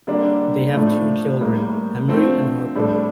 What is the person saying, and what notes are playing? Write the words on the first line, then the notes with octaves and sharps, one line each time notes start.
They have two children, Emery and Harper.
D3 G3 A#3 D4 G4
A2 F3 A3 D4
A2 G3 A#3
D3 F3 A3 C4
A2 G3 D4 A4